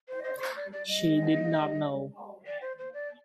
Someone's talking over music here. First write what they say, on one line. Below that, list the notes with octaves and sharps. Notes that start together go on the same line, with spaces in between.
She did not know.
C5
C5
C5
D5
D5
D#5
D5
C5
C5
D5